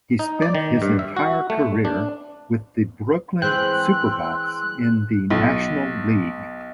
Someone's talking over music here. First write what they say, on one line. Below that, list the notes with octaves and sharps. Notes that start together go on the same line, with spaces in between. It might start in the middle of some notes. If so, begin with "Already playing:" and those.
He spent his entire career with the Brooklyn Superbas in the National League.
D#4
D5
D#3
G2
E5
F#4
A3
D4
E3 G#3 C4 G5 C6 E6 F#6
B1